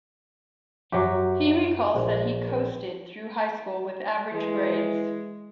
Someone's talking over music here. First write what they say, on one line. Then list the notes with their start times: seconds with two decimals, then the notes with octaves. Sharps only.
He recalls that he 'coasted' through high school with average grades.
0.92 F#2 F#3 G4
1.95 A#1
4.33 E3 G#3